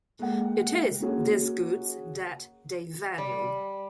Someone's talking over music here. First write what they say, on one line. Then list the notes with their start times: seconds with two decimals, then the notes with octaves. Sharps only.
It is these goods that they value.
0.19 G#3 A#3 A4 F#5 G5
1.00 A#3 C#4 F#4 G#4
3.18 G3